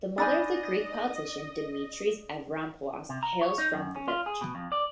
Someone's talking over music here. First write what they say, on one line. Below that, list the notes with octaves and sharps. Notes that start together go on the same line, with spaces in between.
The mother of the Greek politician Dimitris Avramopoulos hails from the village.
D4 D#4 C#5 D#5 G#5 B5 E6
C3
A#5
C#5
D#4
F#2
C#4
F4
G#4
B2
F2
D5